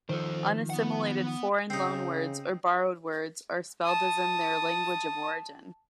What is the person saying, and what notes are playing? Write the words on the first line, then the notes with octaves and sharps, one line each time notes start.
Unassimilated foreign loanwords, or borrowed words, are spelled as in their language of origin.
D#3 F3 A4 C5
B3 F#5
C#3 C4 D#4
A5 D#6